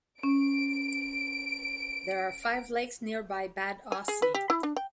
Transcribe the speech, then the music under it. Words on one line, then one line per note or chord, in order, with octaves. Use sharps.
There are five lakes nearby Bad Aussee.
C#4 D7
G#5
G#4
B4
G4
E4
D4
G5